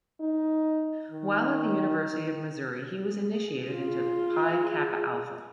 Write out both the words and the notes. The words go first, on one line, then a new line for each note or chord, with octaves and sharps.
While at the University of Missouri, he was initiated into Pi Kappa Alpha.
D#4
D#3
G#4
F4